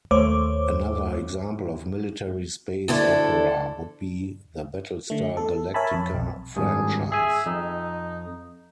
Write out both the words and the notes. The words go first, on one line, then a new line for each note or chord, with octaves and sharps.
Another example of military space opera would be the Battlestar Galactica franchise.
D#2 A3 C5 C#5 D6
D2 D3 E4 A4
D3 A3
A4
A#4 C#5 E5 G#5 A5 B5
F2
B1
G#1 G2 G#4
G#4 E5 G#5
F2 D#4